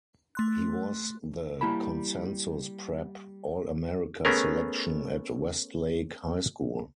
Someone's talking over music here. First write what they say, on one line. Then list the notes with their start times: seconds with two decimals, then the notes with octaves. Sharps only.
He was the consensus prep All-America selection at Westlake High School.
0.35 A3 C6 F#6
1.61 G3 A#3 E4 A5 B5
4.25 A3 B3 C#4 G#4 A#4